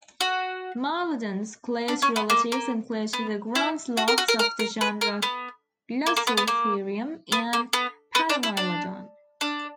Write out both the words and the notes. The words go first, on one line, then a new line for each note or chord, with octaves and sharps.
"Mylodon"'s close relatives include the ground sloths of the genera "Glossotherium" and "Paramylodon".
F#4
D4
C#4
B3
A#3
A#3
B3
E4
F#4
A#4
F#4
A#4
A#4
A#4
B4
A#4
B3
A#3
A#3
B3
B3
A#3
B3
A#3
B3
B3
D4
E4
D4
D4